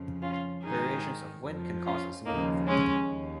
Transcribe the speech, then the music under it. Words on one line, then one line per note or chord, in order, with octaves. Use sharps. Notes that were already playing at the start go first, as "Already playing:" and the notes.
Variations of wind can cause a similar effect.
Already playing: F2 C#3 F3
C#4 F4
G#2 D#3 D#4 G#4
F2 F3
C#4 F4
D#2 C#3 F3 A#3 D#4
G#3 C#4
D#2